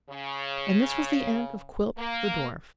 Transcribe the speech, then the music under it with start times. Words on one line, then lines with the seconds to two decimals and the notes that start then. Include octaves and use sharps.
And this was the end of Quilp, the dwarf.
0.10 C#3
1.98 A#3